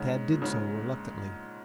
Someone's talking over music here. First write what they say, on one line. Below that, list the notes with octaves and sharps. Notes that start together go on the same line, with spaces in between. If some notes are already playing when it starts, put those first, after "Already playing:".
Tad did so reluctantly.
Already playing: G#2 C#3
A#2
G#2 C#3